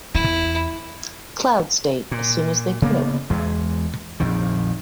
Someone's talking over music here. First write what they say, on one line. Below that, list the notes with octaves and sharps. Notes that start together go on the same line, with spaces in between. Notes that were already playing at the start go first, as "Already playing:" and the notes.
Cloud State as soon as they could.
E2 E4
A#2
C#3 A#3 B3
E2 G#3
A#1 F2 D#3